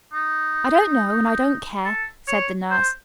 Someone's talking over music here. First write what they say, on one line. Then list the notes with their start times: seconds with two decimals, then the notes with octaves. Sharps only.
"I don't know and I don't care," said the nurse.
0.13 D#4
1.85 A4
2.28 C#5
2.71 C5